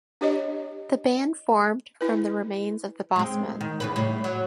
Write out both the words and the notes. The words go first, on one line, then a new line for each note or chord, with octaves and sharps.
The band formed from the remains of The Bossmen.
D4 G4 C#5 D#5
E4 B4
G#3 C4
D#3
E2 C#3 B4
A2 G3
F#3